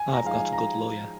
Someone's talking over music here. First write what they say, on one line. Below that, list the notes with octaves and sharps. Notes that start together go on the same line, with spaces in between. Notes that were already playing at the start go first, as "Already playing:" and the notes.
I've got a good lawyer.
Already playing: G#5
A#5
F3 G#3 D#4 F5
G#5
A#5